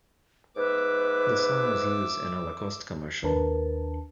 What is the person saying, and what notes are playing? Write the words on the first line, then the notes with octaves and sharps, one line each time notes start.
The song was used in a Lacoste commercial.
G#2 B4 E5 D6
D#2 D4 A#4 B4 A5